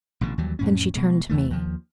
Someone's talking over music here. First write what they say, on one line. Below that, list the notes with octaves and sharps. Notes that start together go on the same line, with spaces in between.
Then she turned to me.
A1 B2 D3
D#2 E3 F#3 G3
F2 A2 C#4
B2 G#3
E2 E3 A3
D#2 F3